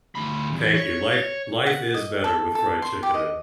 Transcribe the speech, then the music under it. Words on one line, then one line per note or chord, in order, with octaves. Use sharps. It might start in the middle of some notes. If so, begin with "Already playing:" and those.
Thank you. Life life is better with fried chicken in it.
D2 B5
E2
C#5
F#5
D#5
A4
A4
C6
G4
D#5